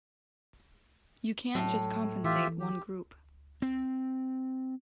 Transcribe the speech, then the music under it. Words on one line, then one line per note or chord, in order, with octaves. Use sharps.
You can't just compensate one group.
A2 F#3
E3 F4 G4 E5
G4
C4